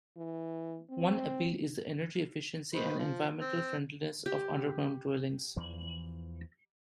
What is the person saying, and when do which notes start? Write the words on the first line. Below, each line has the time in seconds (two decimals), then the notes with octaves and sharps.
One appeal is the energy efficiency and environmental friendliness of underground dwellings.
0.17 E3
0.90 C4
2.74 D#3 B4 C5
2.99 F3
3.41 C4
4.26 G4
5.56 E2 E3 F3